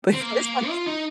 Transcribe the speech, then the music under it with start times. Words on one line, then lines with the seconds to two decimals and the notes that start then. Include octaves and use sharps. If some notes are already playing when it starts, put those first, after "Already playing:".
but in this one,
0.13 C4
0.21 A#3
0.69 F4
0.87 D#4